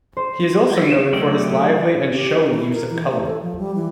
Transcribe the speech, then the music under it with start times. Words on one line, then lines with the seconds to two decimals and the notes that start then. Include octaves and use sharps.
He is also noted for his lively and showy use of colour.
0.17 C5
1.13 F#3 A3 G4 D5 D#5
2.13 G4
2.31 A#4
2.43 D#3
2.54 E4
2.73 A#4
2.91 E3
3.12 A3
3.26 A4
3.41 F3
3.58 G3
3.75 E3